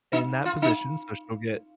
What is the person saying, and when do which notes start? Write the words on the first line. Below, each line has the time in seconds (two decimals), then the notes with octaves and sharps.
in that position, so she'll get
0.13 D#4
0.45 F4
0.62 D#4